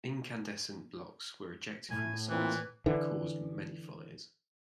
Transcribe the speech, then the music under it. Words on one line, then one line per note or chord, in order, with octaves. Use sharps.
Incandescent blocks were ejected from the summit and caused many fires.
A2 G#5
A#2 E3 C4 E4
D3 E3